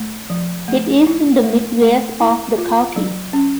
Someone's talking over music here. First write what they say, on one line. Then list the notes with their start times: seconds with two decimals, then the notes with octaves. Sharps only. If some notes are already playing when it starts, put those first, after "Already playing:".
It is in the mid-west of the county.
Already playing: A3
0.30 F3
0.68 A3
1.07 E4
1.44 A3
1.82 A3
2.20 E4
2.58 F4
2.96 F#3
3.33 C#4